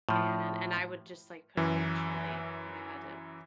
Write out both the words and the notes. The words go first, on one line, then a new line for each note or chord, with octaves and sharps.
fan, and and I would just, like, put it in chili when I had to
A2 F3
F#2 E3